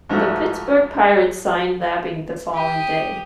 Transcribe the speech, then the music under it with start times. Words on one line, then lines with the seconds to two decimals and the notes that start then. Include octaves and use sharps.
The Pittsburgh Pirates signed Labine the following day.
0.10 G#2 F3 F#3 A3
2.53 G4 D#6